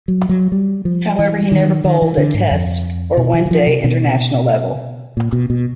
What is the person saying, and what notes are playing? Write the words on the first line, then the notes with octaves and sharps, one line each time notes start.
However he never bowled at Test or One Day International level.
F#3
F#3
G3
F3
E3
D#3
D#3
E3
D3
G#2
F2
B2
E3
E3
F3
C3
B2
A#2
B2
B2